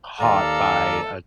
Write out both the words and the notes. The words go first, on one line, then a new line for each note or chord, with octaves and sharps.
taught by a
D#2 A4 D5 F5 A#5